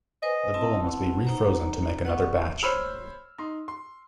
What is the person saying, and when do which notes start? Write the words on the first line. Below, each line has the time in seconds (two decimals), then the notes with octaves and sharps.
The bowl must be refrozen to make another batch.
0.23 B4 C5 D#5 G#5
0.54 C4 E4 A5
0.82 B3
1.25 D#4 C5 A#5
2.05 B3 D5 F#5 C#6
2.63 C5 C#5 B5 E6 F6
3.38 D#4 C6
3.68 C6